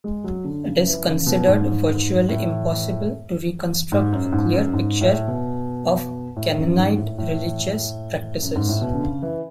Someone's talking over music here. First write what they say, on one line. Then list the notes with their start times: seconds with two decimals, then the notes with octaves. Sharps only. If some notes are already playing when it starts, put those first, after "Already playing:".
It is considered virtually impossible to reconstruct a clear picture of Canaanite religious practices.
0.04 G#3
0.24 F#3
0.45 D3
0.66 C#3
0.86 E3
1.05 C#3
1.26 B2
1.47 G#2
2.29 A2
3.92 G#2
4.12 F#2
4.32 G#2
4.53 F#2
4.73 G#2
5.01 A2
5.28 B2
6.36 A2
6.57 F#2
6.77 G#2
6.98 A2
7.18 A2
8.42 F#2
8.55 G#2
8.69 A2
8.81 B2
8.94 D3
9.02 C#3
9.22 E3